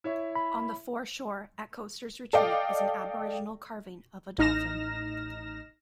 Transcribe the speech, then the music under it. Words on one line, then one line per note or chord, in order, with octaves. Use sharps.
On the foreshore at Coasters retreat is an Aboriginal carving of a Dolphin.
E4 C#5 E5
B5
A4 D5 D#5 F5 G5 D6
A1 D#4 F6 A#6 E7